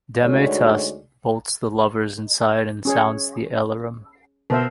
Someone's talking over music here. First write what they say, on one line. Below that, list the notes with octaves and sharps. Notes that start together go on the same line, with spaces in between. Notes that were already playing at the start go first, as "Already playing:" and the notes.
Dametas bolts the lovers inside and sounds the alarum.
D2 G#3 D#4 F#4 C#5 D5
C#4 G#4 C#5
B2 A#4 C5 E5